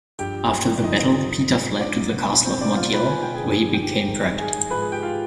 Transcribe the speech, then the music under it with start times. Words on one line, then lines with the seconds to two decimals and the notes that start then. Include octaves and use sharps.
After the battle, Peter fled to the castle of Montiel, where he became trapped.
0.19 G2 F3 G4 G5
0.76 D5
0.83 G2 D3 F3 D#4 D#5
1.48 G#2 F3
1.80 D4 D5
2.12 B2
2.45 C4 C5
2.61 D4 D5
2.72 G5
2.77 B2 F4 F5
2.93 B4 B5
3.09 G#5
3.23 G5
3.35 G#4 G#5
3.42 G2 D3 F3
3.74 G4 G5
4.06 G#2 D#3
4.38 G#4 G#5
4.70 G#2 F3 B4 B5
4.81 G#4 G#5
4.92 G4 G5
5.03 F4 F5